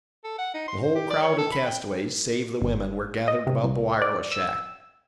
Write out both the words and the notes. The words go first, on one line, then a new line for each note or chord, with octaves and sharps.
The whole crowd of castaways, save the women, were gathered about the wireless shack.
A4
F#5
D#4
C6
C5
G4
D5
C#5
A4
B5
G5
G1
D#5
C3
C2
D5
E6